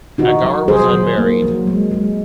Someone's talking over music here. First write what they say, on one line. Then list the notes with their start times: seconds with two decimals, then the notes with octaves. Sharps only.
Agar was unmarried.
0.18 D#3 D#4 F#4
0.43 F#3
0.68 F#3 G#4 C5
0.93 D#3
1.17 A#3
1.42 F#3
1.67 G#3
1.91 G#3